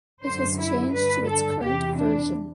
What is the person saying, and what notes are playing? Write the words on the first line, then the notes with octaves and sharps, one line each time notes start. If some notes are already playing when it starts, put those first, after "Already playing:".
It has changed to its current version.
F#2 D3 C5
E4
G2 D3 B4
A4
E2 C3 E3 G4
D4